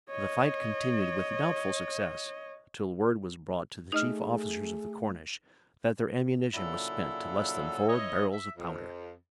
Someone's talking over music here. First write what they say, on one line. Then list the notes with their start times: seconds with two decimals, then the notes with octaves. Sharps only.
The fight continued with doubtful success, till word was brought to the chief officers of the Cornish, that their ammunition was spent to less than four barrels of powder.
0.10 C#5 D#5
3.92 A3 D#4 G#4 D#5 F6
6.55 A#2 C#3 F#3 D4 E4 A4
7.88 G2 E4 C#5 D#5
8.32 E5
8.56 F2